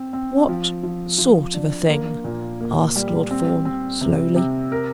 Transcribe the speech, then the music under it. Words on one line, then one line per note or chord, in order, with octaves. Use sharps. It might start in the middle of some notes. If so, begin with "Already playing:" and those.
"What sort of a thing?" asked Lord Fawn slowly.
Already playing: C4
C4
F3
F3
F3
D4
A#3
A#2
A#3
G3
C4
C4
C3
C3
A#4